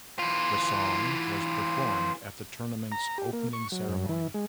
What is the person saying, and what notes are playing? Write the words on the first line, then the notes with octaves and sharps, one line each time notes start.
The song was performed at the tournament's opening ceremony.
E3 F4
A#5
G4
A#3
C#6
F#3
F#2
E3
G#3